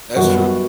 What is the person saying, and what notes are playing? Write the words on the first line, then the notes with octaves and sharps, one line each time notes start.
That's true.
F#2 D#3 G3 B3 F#4